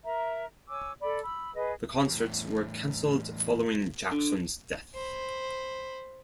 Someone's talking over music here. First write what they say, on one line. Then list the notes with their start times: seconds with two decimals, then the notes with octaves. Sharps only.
The concerts were cancelled following Jackson's death.
0.04 A#4 E5 A#5
0.68 C#5 G#5 D6 E6
1.01 A4 D5 B5
1.24 B5 E6
1.53 G#4 B4 D#5
2.10 E2 A2
4.11 D3
4.94 C5 B5